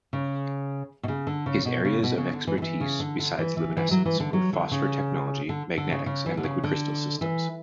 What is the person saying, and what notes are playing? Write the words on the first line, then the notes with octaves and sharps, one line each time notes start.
His areas of expertise, besides luminescence, were phosphor technology, magnetics and liquid crystal systems.
C#3
B2
C#3
D3
C#3
B2
C#3
B2
C#3
D3
E3
D3
E3
C#3
D3
D3
E3
E3
E3
F#3
E3
D3
F#3
D3
C#3
D3
D3
C#3
C#3
E3
D3
C#3
D3
E3